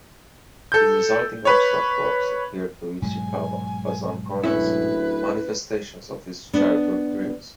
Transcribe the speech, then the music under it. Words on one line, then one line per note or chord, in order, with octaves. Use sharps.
The resulting abstract works appeared to Ishikawa as unconscious manifestations of his childhood dreams.
A4 G6
B4 C#5
G#2 B2 F#3 G#5
D1 C#4 E4 B4
B3 D4